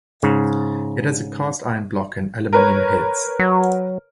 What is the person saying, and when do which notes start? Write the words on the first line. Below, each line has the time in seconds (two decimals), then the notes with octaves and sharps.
It has a cast iron block and aluminum heads.
0.23 G#2 C#3
2.53 A#4 B4 C#5
3.39 F#3